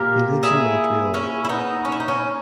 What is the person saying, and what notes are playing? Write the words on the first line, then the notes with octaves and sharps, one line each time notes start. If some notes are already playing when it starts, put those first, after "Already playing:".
He lives in Montreal.
Already playing: A#2 A#3 G4 A#4
E4 G#4
C#4 E4
E4
B3 D#4
C#4
E4
D#4
C#4